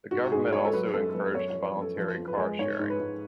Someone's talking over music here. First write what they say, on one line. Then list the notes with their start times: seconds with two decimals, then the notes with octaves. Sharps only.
The government also encouraged voluntary car sharing.
0.11 G#2 F#4
0.32 G#2 G#4
0.53 G#3 C#5
0.65 A4
0.73 F#3 B4
0.93 F#2 A4
1.14 F#2 B4
1.35 F#2 C#5
1.50 C#5
1.55 F3
1.65 B4
1.77 F#2 A4
1.96 F3 B4
2.18 F2
2.28 B4
2.37 G#3
2.59 G#2 C#5
2.79 G#2
2.90 B4
3.00 G#2